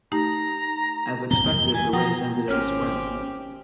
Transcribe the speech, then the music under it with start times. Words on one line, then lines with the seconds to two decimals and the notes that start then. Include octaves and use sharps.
As expected the race ended in a sprint.
0.12 A3 D#4 G4 A#5
1.31 G#2 B3 A#5 G7
1.43 F1 F#3
1.74 E3 G#5
1.93 F3 F#5 G5 A#5 D#6
2.48 G#1 C4 C#4 G4 C#5 F6